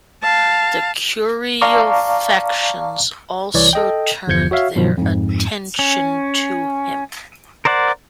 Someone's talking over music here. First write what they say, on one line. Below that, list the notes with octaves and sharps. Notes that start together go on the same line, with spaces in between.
The curial factions also turned their attention to him.
F5 A5
D5 F5 A5 A#5 C#6 D6
C2 E3 C#5 D5
A4 D#5 G5
G1 E2 F3 G6 G#6 C#7
F#4 C#5 E5 F5
G2 B2 D#3 F3 F#3
F2 G#2
C#4
A#4 C5 D5 F#5